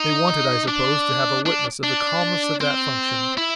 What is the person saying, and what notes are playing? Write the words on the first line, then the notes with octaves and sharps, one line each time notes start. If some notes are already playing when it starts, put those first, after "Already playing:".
They wanted, I suppose, to have a witness of the calmness of that function.
Already playing: D#4
D4
D4
D4
C4
E4